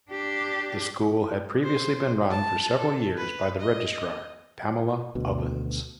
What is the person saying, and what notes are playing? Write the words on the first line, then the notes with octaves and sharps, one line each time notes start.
The school had previously been run for several years by the registrar, Pamela Ovens.
D4 G4
C5
A5
A4
B4
D#5
D2 B2